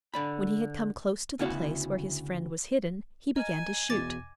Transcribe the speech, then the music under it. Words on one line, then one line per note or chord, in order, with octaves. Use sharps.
When he had come close to the place where his friend was hidden, he began to shoot.
D3 D5 B5
D2 C#3 B3 E4 F#4 F5
D#5 G#5 A#5 F6
E2 B2 D6 A6 A#6